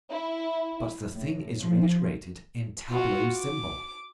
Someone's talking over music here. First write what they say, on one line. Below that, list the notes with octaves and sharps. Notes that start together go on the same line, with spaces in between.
But the thing is reiterated in tableau-symbol.
E4
A2
F3
F4 F#4
D6